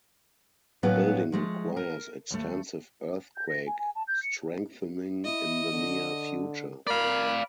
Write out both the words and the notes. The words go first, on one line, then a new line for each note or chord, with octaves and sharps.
The building requires extensive earthquake strengthening in the near future.
A2 F#3 B3 C#4 B4 F5
F3 G#3 A3
A#4
D#2 A3
G6
A#6
G#5
G#5
A5
G6
C#7
E4 D#5
D3
A#4 D5 F5 B5